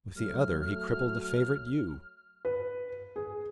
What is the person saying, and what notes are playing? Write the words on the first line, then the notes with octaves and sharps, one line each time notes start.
With the other he crippled a favorite ewe.
F#3 A3 F6
B4
G#4